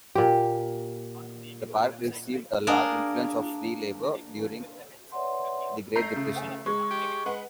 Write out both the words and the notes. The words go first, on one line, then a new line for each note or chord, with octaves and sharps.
The park received a large influx of free labor during the Great Depression.
A#2 G4
A#3 D4 G#4 A#4
B4 C#5 D5 E5 F#5 C6
A3 A#5 G6 C7
C#3
G#3 C#6
G4
G#3 B4 F#5